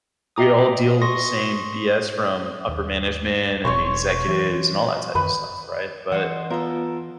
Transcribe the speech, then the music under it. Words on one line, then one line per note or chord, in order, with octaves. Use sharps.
we all deal with the same BS from upper management, and the executives, and all that type of stuff, right? But,
D#5 E5 G5 A#5 D6 D#6
C6 C#6 D#6 A#6
D#2
E1 B2 C#5 C6 C#6
E3
F#2 D#3 B4
E3 F#4 D#5 C6
B3 F4 A4 A#4